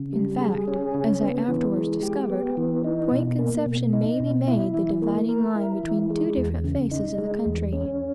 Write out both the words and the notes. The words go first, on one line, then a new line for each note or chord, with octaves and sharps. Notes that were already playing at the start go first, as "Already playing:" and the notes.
In fact, as I afterwards discovered, Point Conception may be made the dividing line between two different faces of the country.
Already playing: C#3
G3
G#4
C#4
C#3
B3
E3
G#3
G4
B3
E3
D#4
B2
A#3
B2
D#4
B2
E4
E3
A#3
A#4
E4
E3
G#3
E2
C#3
D#4
G#3
E2
C#4